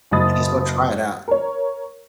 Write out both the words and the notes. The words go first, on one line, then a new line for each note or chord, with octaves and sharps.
just go try it out.
F#1 F#2 D#5 B5 D#6 A6
A#4 C#5